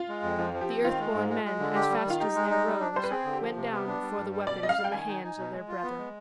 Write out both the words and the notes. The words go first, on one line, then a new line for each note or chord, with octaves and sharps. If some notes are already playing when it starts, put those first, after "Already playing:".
The Earth-born Men, as fast as they arose, went down before the weapons in the hands of their brethren.
Already playing: F4
G#3
F2
F3 F4
F3
G4
C4
D#3 F4
G#3
G#2
G#3
G#3
D3
G4
G3
D#3
F4
D#4 G4
G#3
D#4
G3
D4
G3 C5
B4
C4 G#4
D3
G4
F3
C3
B3
D4
G3
G2
G3
B2 D5
G3 D#5
F5
G3
G5
D#3 G#5
D#4
D#4
B2
G#3
F4
B3
G#3